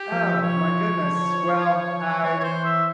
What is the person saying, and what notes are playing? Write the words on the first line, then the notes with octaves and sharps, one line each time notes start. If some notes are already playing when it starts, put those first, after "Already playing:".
Oh, my goodness, well, I
Already playing: G4
F3
E5
F3 C#5
F3
E3 C#5
C#5
C5
E5